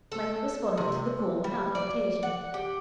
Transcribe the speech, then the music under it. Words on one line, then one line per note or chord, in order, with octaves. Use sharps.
Mike responded to the call without hesitation.
A4
C3
G3
D5
F#5
G4